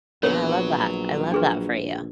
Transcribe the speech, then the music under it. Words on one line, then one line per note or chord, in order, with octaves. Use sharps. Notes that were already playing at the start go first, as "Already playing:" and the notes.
Yeah, I love that. I love that for you.
A#1 F#3 B3 A#4 C#5
D4 G#4 B4